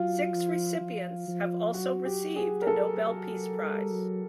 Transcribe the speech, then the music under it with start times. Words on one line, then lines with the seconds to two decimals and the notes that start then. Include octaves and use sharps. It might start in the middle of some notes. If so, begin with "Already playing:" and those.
Six recipients have also received a Nobel Peace Prize.
Already playing: F#3 F4
0.34 F3
0.81 F3
1.28 F3
1.74 F#3 F#4
2.05 G4
2.36 G#4
2.62 A#4
2.67 A4
3.60 G3
3.91 F#3